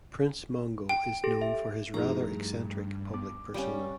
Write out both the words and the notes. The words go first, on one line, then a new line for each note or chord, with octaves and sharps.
Prince Mongo is known for his rather eccentric public persona.
G5
G4 A4
E5
G2 F3 A3 D#4 E4 G#4 A#5
B3 D6
G3 C#4 D5 F5